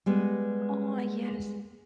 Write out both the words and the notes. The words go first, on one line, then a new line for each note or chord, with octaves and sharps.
Oh, yes
G3 G#3 B3